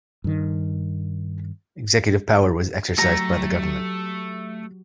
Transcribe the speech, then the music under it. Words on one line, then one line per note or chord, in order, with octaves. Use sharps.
Executive power was exercised by the government.
G2 D#3
F#3 A3 G4 A#5